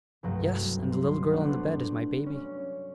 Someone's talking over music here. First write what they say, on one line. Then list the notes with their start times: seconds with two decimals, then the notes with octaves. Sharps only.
"Yes, and the little girl in the bed is my baby."
0.23 C2 G2 F#3 A3
0.92 C6
1.31 A3 B3 D4 C5 F#5
2.26 C#4